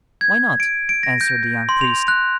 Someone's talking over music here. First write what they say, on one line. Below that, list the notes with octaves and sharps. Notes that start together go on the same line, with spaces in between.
"Why not?" answered the young priest.
G#6
D7
D7
A#6
G6
C6
F7
F#6